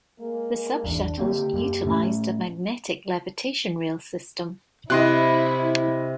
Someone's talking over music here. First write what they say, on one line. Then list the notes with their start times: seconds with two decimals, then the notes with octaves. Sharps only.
The Subshuttles utilized a magnetic levitation rail system.
0.19 G#3 A#3
0.84 G#1 E2 D4
1.18 D3 A#3 C4 G4
1.54 F#2 A#3
1.86 A2 A3 C#4
4.90 C3 E4 D#5 C6 F#6